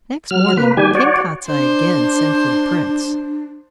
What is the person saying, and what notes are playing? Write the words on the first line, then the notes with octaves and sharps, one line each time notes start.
Next morning King Kostiei again sent for the prince.
F#3 F6
A#3 B4
D#3 G3 G4 G#5
F#4 C#5 D5
D4 C5